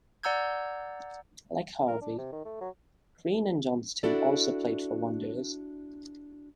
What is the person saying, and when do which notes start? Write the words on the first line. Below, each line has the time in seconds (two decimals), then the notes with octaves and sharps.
Like Harvey, Crean and Johnston also played for Wanderers.
0.23 D5 F#5 A#5 E6 G6 G#6
1.87 A#4
2.02 D4
2.18 C3
2.32 D#3
2.45 A3
2.61 F#3
4.03 D4 E4 F#4 A4 D5